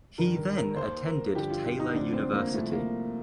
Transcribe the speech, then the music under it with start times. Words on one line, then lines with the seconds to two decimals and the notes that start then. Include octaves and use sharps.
He then attended Taylor University.
0.18 G2 D#3 A#4
0.37 A#4
0.57 A#4
0.76 D#2 D#3 C5
1.06 A#4
1.35 G2 D3 F3 G4
1.50 F4
1.65 F4
1.79 D#4
1.94 D2 C3 F3 D4
2.13 C4
2.33 A#3
2.53 C2 C3 F3 A3
2.73 A#3